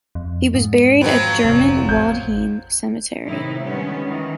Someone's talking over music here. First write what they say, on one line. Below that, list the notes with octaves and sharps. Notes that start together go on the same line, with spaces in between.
He was buried at German Waldheim Cemetery.
F2
G#2
F3 F#3 C4 B4 C5
F1
A1 G6 G#6
A2 C3 D#3 D#4 E4
D3 D#3 G3 G#3 B3 C#4
D#3 E3